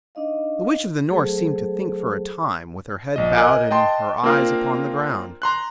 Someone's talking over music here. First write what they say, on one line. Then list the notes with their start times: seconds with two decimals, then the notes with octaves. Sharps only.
The Witch of the North seemed to think for a time, with her head bowed and her eyes upon the ground.
0.15 D4 D#4 D#5 F5
1.09 F#3 A3 G#4 A4 C5
3.16 A#1 D#5
3.37 A#4 D#5 G#5 D6 F#6
3.71 D#5 G5 A5 C6
4.23 A#3 C4 D4 F4 A#4 F5
5.42 A#5 C6 F#6